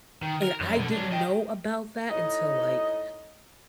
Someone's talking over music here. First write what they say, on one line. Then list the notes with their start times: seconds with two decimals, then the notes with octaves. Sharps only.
And I didn't know about that until, like,
0.23 D#3
0.43 A#4
0.61 F#2
0.77 B2 D3
0.91 F#3 D4
1.12 D#5 G5
2.10 A2 D#4 D#5